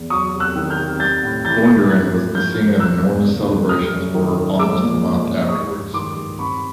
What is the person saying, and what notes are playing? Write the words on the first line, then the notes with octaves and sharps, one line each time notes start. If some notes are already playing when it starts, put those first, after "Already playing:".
Bundoran was the scene of enormous celebrations for almost a month afterwards.
Already playing: E2
F#3 C#6 D#6
C3
E6 F#6
D#3
F6 G6
C3
G3 G6 A6
A2
E3 G6 A6
A2
A#3 F#6 G#6
G#2
F3 F6 G6
C#4
E3 E6 F#6
E2
C#3
A3
G3 D#6 F6
F#2
D#3
F#2
G#3 D6 E6
A#2
F3
C#4
G#3 C#6 D#6
G2
D#3 C6 D6
G2
C4 B5 C#6